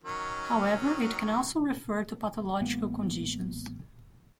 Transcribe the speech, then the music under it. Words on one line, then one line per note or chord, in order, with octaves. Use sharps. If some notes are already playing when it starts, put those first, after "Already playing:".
However, it can also refer to pathological conditions.
D#3 F#3 C#4
A1 G#3 A#3 B3